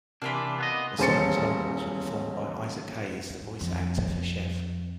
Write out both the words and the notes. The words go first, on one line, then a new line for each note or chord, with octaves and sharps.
The song's vocals were performed by Isaac Hayes, the voice actor for Chef.
C3 E3 A#3 D4 F4 D5 B6
B3 B4 D#5
D#1 E2 C#4 C5 A6 C#7
F2